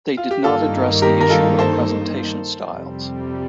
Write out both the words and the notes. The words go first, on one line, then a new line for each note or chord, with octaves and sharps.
They did not address the issue of presentation styles.
F4
G4
G2 D#3 A#3 D#4 F4 A4
G4 A#4
A#4
F4 A4
A4 C5
F2 C3 G3